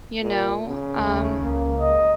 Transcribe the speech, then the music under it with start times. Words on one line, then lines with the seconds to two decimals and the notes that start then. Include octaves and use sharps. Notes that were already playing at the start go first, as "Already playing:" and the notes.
You know? Um
0.22 A#2
0.67 C#3
1.00 D#2 A3
1.42 C#2 A#3
1.80 D#5